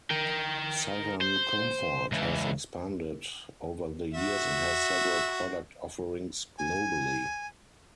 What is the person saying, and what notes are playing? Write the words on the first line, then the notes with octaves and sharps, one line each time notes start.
Southern Comfort has expanded over the years and has several product offerings globally.
A#4 G5
C5
C#2 E3
F#4 E5
G#5